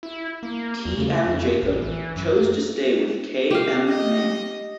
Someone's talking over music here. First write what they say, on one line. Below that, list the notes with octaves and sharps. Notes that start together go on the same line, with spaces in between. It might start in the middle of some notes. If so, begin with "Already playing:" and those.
T. M Jacob choose to stay with K. M Mani.
E4
A#3
E2
C#3
F2
A1
E3
F#2
A#3
G4 F5
D#5